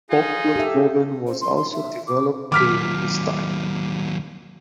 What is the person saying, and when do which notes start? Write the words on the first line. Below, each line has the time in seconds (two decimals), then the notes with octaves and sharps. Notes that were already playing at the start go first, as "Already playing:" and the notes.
Oakwood-Vaughan was also developed during this time.
0.10 D#4 F4 G#4
0.56 G4 A4 E5
1.27 C5
1.41 C6
1.56 C6
1.73 E5
2.07 D6
2.52 D#2 F#3 D6 F6 B6